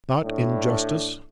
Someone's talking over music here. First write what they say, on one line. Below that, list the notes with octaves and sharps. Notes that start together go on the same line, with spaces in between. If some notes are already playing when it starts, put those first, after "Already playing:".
'Not in justice?'
A2 D4